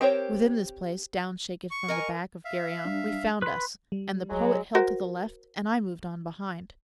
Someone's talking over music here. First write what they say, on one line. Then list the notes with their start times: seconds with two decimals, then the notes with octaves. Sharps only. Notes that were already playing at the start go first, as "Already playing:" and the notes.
Within this place, down shaken from the back Of Geryon, we found us; and the Poet Held to the left, and I moved on behind.
0.01 C4 G4 A#4 C5 C#5
1.71 C#6
1.88 A#4 D#5 G#5
2.45 E5 F5
2.85 G3 D4
3.42 B4 B5 C6
3.92 G3
4.30 F#3 G#3
4.75 F#4 A#4 C5